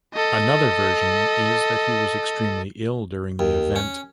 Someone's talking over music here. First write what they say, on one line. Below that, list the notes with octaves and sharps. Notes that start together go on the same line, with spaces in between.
Another version is that he was extremely ill during the event.
A4 D#5
D#2
C#4